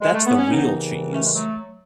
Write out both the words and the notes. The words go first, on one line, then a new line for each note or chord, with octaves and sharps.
That's the real cheese.
G#3
A3
B3
C#4
D#2 C#3 E3 B3 D#4
A3 C#4
G#3
F#3 A3